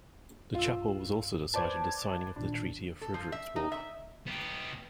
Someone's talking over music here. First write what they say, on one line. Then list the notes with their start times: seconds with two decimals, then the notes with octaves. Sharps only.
The Chapel was also the site of the signing of the Treaty of Frederiksborg.
0.55 B1 G2 F4 E6
1.54 B4 C5 D5 A5 D6 G#6
2.36 A1 A#2 D#3 D4
3.01 A4
3.14 F3
3.32 E5
3.56 D#4
3.72 E5
4.27 B3 G4